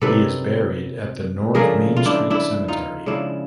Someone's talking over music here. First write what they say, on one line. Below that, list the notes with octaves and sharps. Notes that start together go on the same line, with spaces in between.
He is buried at the North Main Street Cemetery.
C3 D#3 F#3 A4 B4
C#3 F3 A3 D4 G#4 A#4
F4
D4 E4
D4 E4
D#4 F4
C#3 F3 G#3 D4 E4